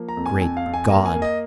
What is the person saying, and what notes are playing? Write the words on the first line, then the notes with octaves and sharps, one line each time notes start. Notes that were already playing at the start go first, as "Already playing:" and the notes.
Great God!
Already playing: F3 A#3
A#5
F2
G#5
F2 G#5
F5
F2
G#5
A#3 A#5
G#5
A#3
D#5